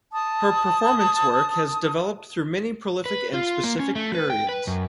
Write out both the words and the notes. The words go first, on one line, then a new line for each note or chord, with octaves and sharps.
Her performance work has developed through many prolific and specific periods.
A5 D#6
B4
F4
A#3
C#4
A3
B4
G5
B4
F#2